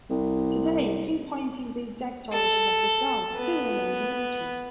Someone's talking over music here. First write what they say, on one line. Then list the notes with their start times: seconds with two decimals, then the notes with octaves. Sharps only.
Today, pinpointing the exact origin of this dance still remains a mystery.
0.10 C2
2.32 A4
3.37 B3